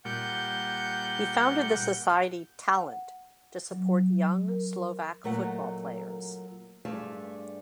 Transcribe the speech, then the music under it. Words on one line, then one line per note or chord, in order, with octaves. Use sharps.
He founded the society "Talent" to support young Slovak football players.
A#2 G3 F#5 G6
F#5
F#3
A#4
A#2 F#3 A3 A#4 D#5 F#5
G2 G3 A3 G#4 F5 A5